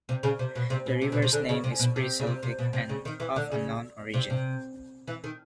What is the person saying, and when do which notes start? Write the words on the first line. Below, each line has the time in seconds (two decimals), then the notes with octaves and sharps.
The river's name is pre-Celtic and of unknown origin.
0.09 C3
0.23 C#3
0.39 C3
0.55 B2
0.70 C3
0.86 B2
1.02 C3
1.12 B2
1.22 C3
1.33 D3
1.49 C#3
1.64 C3
1.79 B2
1.96 C3
2.20 C#3
2.27 C3
2.43 C3
2.59 B2
2.73 C3
2.89 C#3
3.05 D#3
3.20 E3
3.36 D3
3.52 C#3
4.14 C3
4.30 C3
5.07 E3
5.24 D#3